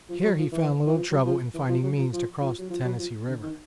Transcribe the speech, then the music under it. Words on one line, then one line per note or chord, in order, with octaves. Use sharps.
Here he found little trouble in finding means to cross the Tennessee River.
F3
F#3
F3
E3
E3
F3
F#3
F3
E3
F3
F#3
F3
F3
F3
F#3
F3
F#3
F3
D3
D#3